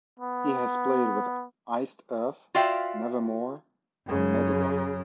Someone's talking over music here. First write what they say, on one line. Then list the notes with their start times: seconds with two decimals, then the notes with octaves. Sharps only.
He has played with Iced Earth, Nevermore, and Megadeth.
0.20 B3
2.55 F4 F#4 D5 E5 F5 G5
4.06 F#2 C#3